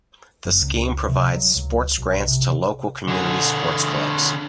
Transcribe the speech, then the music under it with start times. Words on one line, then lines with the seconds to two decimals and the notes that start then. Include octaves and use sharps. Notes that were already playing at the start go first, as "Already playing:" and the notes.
The scheme provides sports grants to local community sports clubs.
0.45 F#1
0.61 C#2
1.08 C3
1.35 F#3
1.56 C#2
1.98 B1
2.28 C3
3.08 D3 G#4